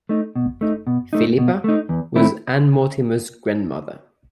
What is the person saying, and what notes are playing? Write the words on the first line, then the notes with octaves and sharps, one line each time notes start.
Philippa was Anne Mortimer's grandmother.
A3 D#4
B2
A3 D#4
B2
A3 D#4
B2
A3 D#4
E2
D#3 A3 C4 E4